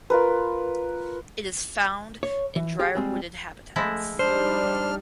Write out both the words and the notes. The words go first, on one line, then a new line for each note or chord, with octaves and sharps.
It is found in drier wooded habitats.
F4 A#4 B4
C#5
E3
G4 G#4
G3 G#3 C4
F3 G#3 A3 E4
G3 D4 D#4 C5 F6